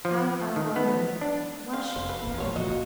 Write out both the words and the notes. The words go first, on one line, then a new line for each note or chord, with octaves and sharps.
How, I wondered, was she faring?
F3
D#3
B3
D4
D3 F5
F1 C5
B4
D#1 A1
C5 C#5
C#2 A#2 F#4 D#5